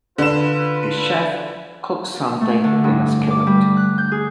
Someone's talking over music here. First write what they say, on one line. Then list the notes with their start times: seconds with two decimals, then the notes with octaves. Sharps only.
A chef cooks something in a skillet.
0.18 D3 F4 B4 E7
2.41 A3
2.64 D3
2.84 G2
3.31 D6
3.47 G3
3.77 F#6
3.98 G6
4.12 G#4